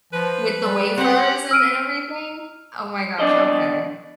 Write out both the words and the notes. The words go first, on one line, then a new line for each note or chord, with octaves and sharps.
With the wafers, and and everything? Oh my gosh, okay.
F3 B4
G3
C4 G4 F#5
E6 F6 D7 D#7
B2 D4 D5 D#5